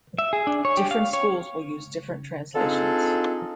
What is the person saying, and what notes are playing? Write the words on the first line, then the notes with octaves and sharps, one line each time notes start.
Different schools will use different translations.
E5
G#4
D4
C#5
G4
F5
C#5
C4 D4 D#4 F4 G#4 A4